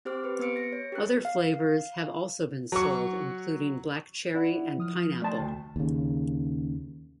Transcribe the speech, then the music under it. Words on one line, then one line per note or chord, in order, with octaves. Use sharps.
Other flavours have also been sold including black cherry and pineapple.
C4 G4 C5 D6 F6
G4 B4
B3 B4 E6 C#7 D7
A#6 C#7
C#5
G4 A#4 F#6
F5
F#3 C#6
E4 D5 F#5
F3 D#6 F6
A3 D5 G5 A5 C6
D2
D#2 C#3